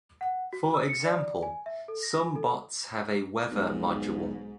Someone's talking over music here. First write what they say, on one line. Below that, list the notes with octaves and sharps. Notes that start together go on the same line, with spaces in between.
For example, some bots have a 'weather' module.
F#5
F#4
E6
C#7
D5
G#5
E5
A4
A#6
G#5
A4
B1 G#2